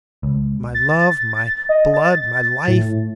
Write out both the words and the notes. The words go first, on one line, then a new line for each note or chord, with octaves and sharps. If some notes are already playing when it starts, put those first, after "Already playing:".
My love, my blood, my life!
C#2
A6
D#5
A6
A2